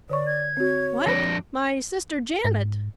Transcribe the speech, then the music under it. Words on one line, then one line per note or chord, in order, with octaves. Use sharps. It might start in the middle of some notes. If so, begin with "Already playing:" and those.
"What! my sister Janet?"
D3 C#5 D5 C#6
G#6
C4 F#4 C#5
F2 D4 A#6
G#2